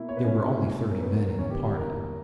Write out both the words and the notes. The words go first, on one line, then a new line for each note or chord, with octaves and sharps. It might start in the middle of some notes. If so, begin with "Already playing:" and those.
There were only thirty men in the party.
Already playing: B2 A#3 E4
C#5
B4
C#4 C#5
B2 G3 A#3 D4
A#4
B3 B4
A#4
A#4
E2 D3 A#3 C#4 E4 C#5
G4
G4
A#4